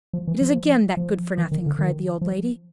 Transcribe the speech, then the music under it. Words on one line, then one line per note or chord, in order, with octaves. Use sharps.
"It is again that good-for-nothing!" cried the old lady.
F3
E3
F3
F3
E3
D#3
D3
D#3
F3